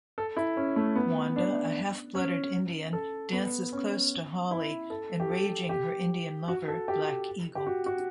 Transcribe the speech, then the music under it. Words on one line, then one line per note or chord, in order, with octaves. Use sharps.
Wanda, a half-blooded Indian, dances close to Hawley, enraging her Indian lover, Black Eagle.
A4
E4
C#4
A3
B3
D4
C#4
A4
B3
C#4
E4
A4
G4
A4
G4
F#4
A4
G4
G4
F#4
F#4